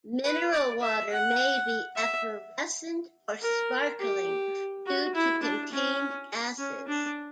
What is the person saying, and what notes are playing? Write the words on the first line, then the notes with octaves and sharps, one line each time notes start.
Mineral water may be effervescent or "sparkling" due to contained gases.
B4
D5
E5
F#5
E5
A#4
G4
F#4
E4
D4
C#4
C#4
D4